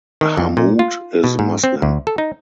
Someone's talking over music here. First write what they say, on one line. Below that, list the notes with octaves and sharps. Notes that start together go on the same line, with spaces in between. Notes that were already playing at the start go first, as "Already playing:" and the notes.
Hammoud is Muslim.
D#3
F2
A#2
F4
B2
G#2
C4
D2
A4
D#4